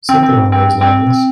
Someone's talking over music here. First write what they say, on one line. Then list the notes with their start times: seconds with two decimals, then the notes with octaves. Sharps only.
Something on those lines.
0.09 C4
0.23 C4
0.52 C4
0.81 C4